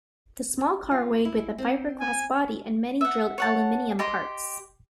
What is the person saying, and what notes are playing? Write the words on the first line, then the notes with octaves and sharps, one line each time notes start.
The small car weighed with a fiberglass body and many drilled aluminium parts.
F4
E4
C4
G#5
E5 F#5
C#5 F#5 A5
G4 D#5 C6